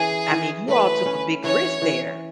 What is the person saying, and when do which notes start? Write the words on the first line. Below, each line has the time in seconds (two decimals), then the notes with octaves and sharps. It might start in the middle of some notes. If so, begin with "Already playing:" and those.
I mean, you all took a big risk there.
Already playing: E3 C#4 G#4
0.31 E3
0.68 A3 B4
1.06 C#4
1.44 E3 C#5
1.82 E3